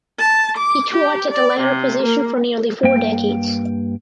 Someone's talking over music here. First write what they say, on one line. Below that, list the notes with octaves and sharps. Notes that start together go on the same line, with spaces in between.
He taught at the latter position for nearly four decades.
A5
D6
G4
D5
C3
A#3
G2 A#3 G5